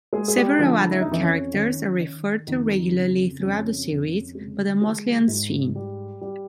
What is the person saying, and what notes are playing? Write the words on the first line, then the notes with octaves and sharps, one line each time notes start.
Several other characters are referred to regularly throughout the series, but are mostly unseen.
G#3 G#4
G#4
G3 G4
D3 F3 F4
E4
D#4
F2 E3 E4
C#4
D#3
D#3
F2 D#3 D#4
C#3
F2 C#4
F2
G#3
G#3
G#2
G3
G3